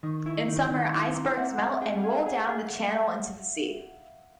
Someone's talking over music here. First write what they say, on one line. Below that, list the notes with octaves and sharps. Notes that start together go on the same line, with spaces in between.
In summer, icebergs melt and roll down the channel into the sea.
D#3 C#6 D#6
E4
D#3
D#3
E4 C6 D6
C4 A#5 C6
C4 E5 F#5
C4 D#5 F5
G#4 G5
F#5
G#4 F5
E5 F#5
G#4
G#4